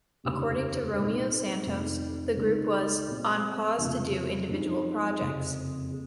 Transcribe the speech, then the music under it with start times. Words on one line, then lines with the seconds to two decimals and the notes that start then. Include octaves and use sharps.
According to Romeo Santos, the group was "on pause to do individual projects".
0.24 F1 D#2 C#3
0.95 C2 A#2 G#3 C4 D#4
1.66 F1 F2 D#3
2.37 C#2 C#3 G#3 D#4 G#4
3.08 A#2 F#3 C4
3.78 F1 F2 C#3 F3
4.49 F#2 F3 C4 D#4 G#4
5.21 F#1 F2 C3
5.91 G#4